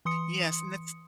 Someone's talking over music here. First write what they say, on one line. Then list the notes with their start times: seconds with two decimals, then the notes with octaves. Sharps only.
Yes, and that's
0.05 E3 C6 D#6 C#7